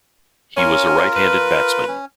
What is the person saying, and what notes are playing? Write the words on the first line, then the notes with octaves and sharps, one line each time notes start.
He was a right-handed batsman.
C#4 F4 A#4
B4
C#4